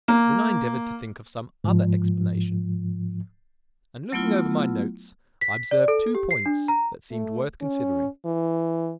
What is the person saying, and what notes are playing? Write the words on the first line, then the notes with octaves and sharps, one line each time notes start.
Then I endeavoured to think of some other explanation; and looking over my notes I observed two points that seemed worth considering.
A#3
G#2 F3
F#3 A3 B3 E4 F4
B6
D5
A4
G4
C7
D4
A#5
A3
C#4
E3